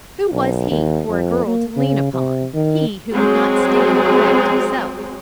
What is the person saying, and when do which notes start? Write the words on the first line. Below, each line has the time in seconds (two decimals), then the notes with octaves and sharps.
Who was he for a girl to lean upon?--he who could not stand erect himself!
0.32 B1
0.70 D#2
1.09 F2
1.47 A#3
1.76 C#3
2.14 C3
2.54 D#3
3.13 F#3 G#3 C4 G#4